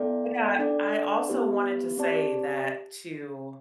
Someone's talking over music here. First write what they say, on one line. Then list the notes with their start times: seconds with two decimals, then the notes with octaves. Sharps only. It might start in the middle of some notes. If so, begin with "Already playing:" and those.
Yeah. I also wanted to say that to
Already playing: B3 E4 A4 D5 G5
0.59 D4 A4 D5 G5
1.29 B3 E4 G4 B4
1.97 C4 G4 D5 A5